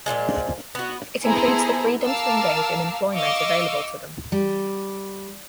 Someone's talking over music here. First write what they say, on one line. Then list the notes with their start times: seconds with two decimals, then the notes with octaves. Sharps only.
It includes the freedom to engage in employment available to them.
0.06 A#2 C#3 F3 G#3
0.75 B3 F#4
1.25 B3 E4 G#4 A4 C5 A#5
2.03 A#4 F5 A5 D6 E6 F6
3.16 D#5 F5 C#6 D6 E6
4.32 G3